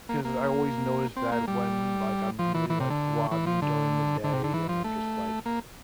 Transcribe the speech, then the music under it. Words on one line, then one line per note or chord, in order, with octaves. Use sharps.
'cause I always notice that when, like, I'm really, like, groggy during the day and I'm just, like
A#3
A#3
C4
A#3
G3
F3
E3
E3
C3
D3
E3
F3
D3
D3
C3
D3
E3
F3
A3
A#3